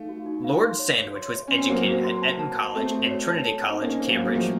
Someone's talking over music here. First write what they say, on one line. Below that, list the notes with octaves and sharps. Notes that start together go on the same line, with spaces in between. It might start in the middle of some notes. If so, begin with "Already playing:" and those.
Lord Sandwich was educated at Eton College and Trinity College, Cambridge.
Already playing: A3 D#4 F5
F#4
D#4
F5
C6
C#5
C#5
C6
C#5
C#4 C6
C4
F#3 A#3 C5
C5
C6
A5
A5
A5
A3 C4 A4
F#4
C#5
A5
A4
C#5
D#4
A#3 C#4 C5
C5
F#3 A#3
F5
A#3
F3 A3 C5